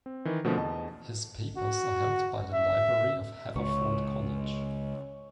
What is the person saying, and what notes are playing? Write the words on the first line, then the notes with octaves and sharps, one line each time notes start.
His papers are held by the library of Haverford College.
C4
D#3 E3
B2 D3 F3 A3 A#3 C4
E2 D#5 A5
F#4
E5
C#2 C#5